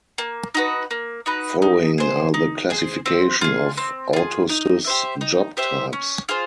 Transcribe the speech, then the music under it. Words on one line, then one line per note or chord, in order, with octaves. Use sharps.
Following are the classification of autosys job types.
A#3
D#4 F#4 B4
A#3
D#4 F#4 B4
D#4
G#4 C5
D#4
G#4 C5
C4
F4 G#4
C4
F4 G#4
D#4
G4 C5 E5
D#4
G4 C5 E5
C#4
F4 G#4 C5